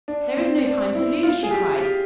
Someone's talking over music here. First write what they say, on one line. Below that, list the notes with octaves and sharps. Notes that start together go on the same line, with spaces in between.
"There is no time to lose," she cried.
D4
C4
D4
E4
F4
G#4
G4
G4